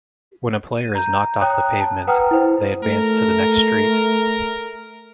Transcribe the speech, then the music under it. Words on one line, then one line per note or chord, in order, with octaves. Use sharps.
When a player is knocked off the pavement, they advance to the next street.
D#7
A#5 G6
C#5 G5 A#5 D#6 F#6
A5
B4 F#5 G5 A#5 D#6 F6
E4 C5
A3 A#4